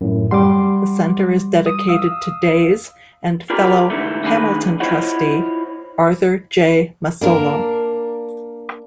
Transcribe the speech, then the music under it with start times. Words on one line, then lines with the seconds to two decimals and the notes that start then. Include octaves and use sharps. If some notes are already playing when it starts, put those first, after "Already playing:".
The center is dedicated to Days and fellow Hamilton trustee Arthur J. Massolo.
0.01 F#2 A2
0.31 G3 F#5 C6 D6
1.66 D#6
1.89 F5 D#6 E6
3.50 F4 G4 G#4 A#4 B4 D5
3.90 G#2 D3 E3 A3
4.24 D#3 A3 D4 F#4 G#4 B4
4.80 E4 F4 C5 C#5 D#5 F#5
7.21 A#3 D4 A#4